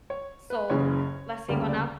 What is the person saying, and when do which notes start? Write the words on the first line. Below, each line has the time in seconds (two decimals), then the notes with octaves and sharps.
So, La Siguanab
0.10 C#5
0.50 B4
0.70 F#1 F#2 C#3 E3 C#5
1.49 D2 C#3 G3 A#3 D5
1.69 D5